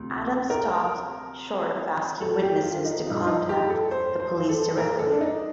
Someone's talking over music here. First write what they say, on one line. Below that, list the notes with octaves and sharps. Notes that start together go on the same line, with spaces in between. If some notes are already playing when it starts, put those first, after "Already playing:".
Adams stopped short of asking witnesses to contact the police directly.
Already playing: D2 C3 F3
A#4
A4
G4
F4
D#4
G2 F3 D#4
F4
D#4
G4
A4
C5
C5
A4
A#4
A4
D4
D#4